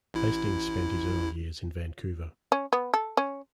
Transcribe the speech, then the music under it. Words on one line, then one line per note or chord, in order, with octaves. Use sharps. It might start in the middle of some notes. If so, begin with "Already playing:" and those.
Hastings spent his early years in Vancouver.
A1 E4
C#4
B3
A4
C#4